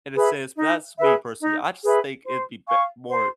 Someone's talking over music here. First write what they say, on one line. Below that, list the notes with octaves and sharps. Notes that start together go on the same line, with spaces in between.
in a sense, but that's me personally. I just think it'd be bet more
G#4 B4 E5
D#4
G#4 B4 E5
D#4
G#4 B4 E5
C5
F5 G#5 C#6
C5